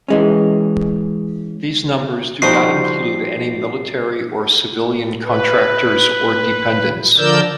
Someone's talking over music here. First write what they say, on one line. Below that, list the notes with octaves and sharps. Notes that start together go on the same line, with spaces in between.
These numbers do not include any military or civilian contractors or dependents.
E3 G#3 C#4
F3 G3 D#4 F#4 G4 C5 C7
B4
D3 F3 A#4 D5 E6 G6